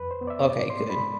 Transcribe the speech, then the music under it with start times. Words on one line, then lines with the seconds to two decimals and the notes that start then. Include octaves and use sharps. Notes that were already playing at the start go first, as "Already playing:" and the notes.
Okay, good.
Already playing: F2 B4
0.11 C5
0.21 B3
0.27 D5
0.30 E5
0.50 G#2 D5
0.70 C6
0.80 G#3
0.90 B5